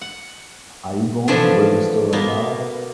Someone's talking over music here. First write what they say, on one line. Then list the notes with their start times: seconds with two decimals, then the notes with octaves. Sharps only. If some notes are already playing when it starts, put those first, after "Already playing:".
Are you going to register right now?
0.01 F#5
1.28 D3 E3 F3 C#4 D4
2.13 B2 A#3 B3